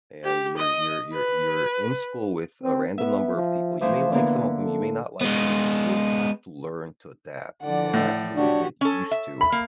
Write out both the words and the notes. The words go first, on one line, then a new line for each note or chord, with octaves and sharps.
And you're you're you're you're in school with a random number of people you may like some of them, you may not like 'em, but you still have to learn to adapt and actually get used to
G4
D#5
B4
C4
B3 E5
F3
E3 F3 A3 C5
D3 A#3 B3 E4
A4
G#3 B3
D3 E3 F3 D5 F#5
A2
F3 D4 F#4 G4 C#5
C#4 A4
E5
B5
A#3